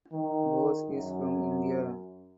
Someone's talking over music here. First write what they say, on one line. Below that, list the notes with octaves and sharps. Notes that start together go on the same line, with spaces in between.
Bose is from India.
D#3
F#2